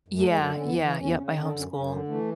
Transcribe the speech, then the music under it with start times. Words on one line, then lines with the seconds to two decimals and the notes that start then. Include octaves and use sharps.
Yeah, yeah yep, I homeschool.
0.08 F#2
0.16 A3
0.27 F#2 G#3
0.45 D3
0.58 C#4
0.63 E2 B3
0.81 E3
0.99 E2 C#4
1.07 B3
1.16 C#3 C#4
1.35 D3
1.41 C#4
1.48 D4
1.53 F#2
1.59 C#4
1.71 F#2 C#4
1.89 D3
2.08 E3 A3